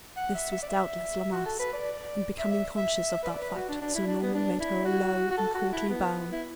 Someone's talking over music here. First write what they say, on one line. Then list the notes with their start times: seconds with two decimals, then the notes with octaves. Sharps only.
This was doubtless La Masque, and becoming conscious of that fact Sir Norman made her a low and courtly bow.
0.16 F#5
0.35 E5
0.52 E5
0.63 D5
0.69 E5
1.32 F#4
1.46 A4
1.59 B4
1.73 D5
2.39 E5
2.51 E5
2.77 E5
3.23 B4
3.29 D5
3.42 B4
3.55 F#4
3.69 D4
3.81 D4
3.94 E4
4.07 D4
4.22 B3
4.34 D4
4.60 E4
4.85 F#4
5.30 F#4
5.37 A4
5.54 F#4
5.72 E4
5.89 B3
6.32 E4